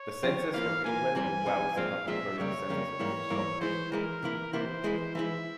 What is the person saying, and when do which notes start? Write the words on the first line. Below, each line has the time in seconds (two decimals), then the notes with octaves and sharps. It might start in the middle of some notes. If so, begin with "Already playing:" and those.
The census of England and Wales does not include the census of Scotland.
Already playing: C#5
0.23 C#3 F3 C4
0.53 E3 A#3 F4 F5
0.84 E3 A#3 F4 G#5
1.15 C3 E3 G3 C4 G#5
1.46 C3 E3 G3 C4
1.76 A#2 F3 G#3 C4 F4 F5
2.07 A#2 F3 G#3 C4 F4 E5
2.38 F2 C#3 G3 A#3 C#5
2.69 F2 C#3 G3 A#3
2.99 G#2 E3 G3 A#3 E4
3.30 G#2 E3 G3 A#3 E4
3.61 E3 G#3 E4 C5
3.92 E3 G#3 E4 A#4
4.23 C3 E3 A#3 E4
4.53 C3 E3 A#3 E4 C5
4.84 E3 G#3 E4
5.15 E3 G#3 E4 E5